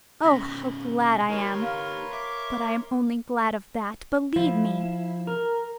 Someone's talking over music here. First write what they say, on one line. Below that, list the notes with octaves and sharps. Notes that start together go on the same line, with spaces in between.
Oh, how glad I am! But I am only glad of that, believe me.
B2 D#3 C#4 A#6 B6
D#4 G4 A#4 B4 C#5 C6
F5 A#5 F6
E5 D6
F3 E4
A#4